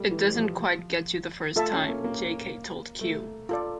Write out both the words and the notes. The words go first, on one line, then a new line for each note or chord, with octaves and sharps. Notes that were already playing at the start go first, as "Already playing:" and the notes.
"It doesn't quite get you the first time," Jay Kay told "Q".
Already playing: G3 A3
E3
G3
F3
A3 F4 A4 E5 A5
C#4
A#3
A#3
A3
F4 A4 D5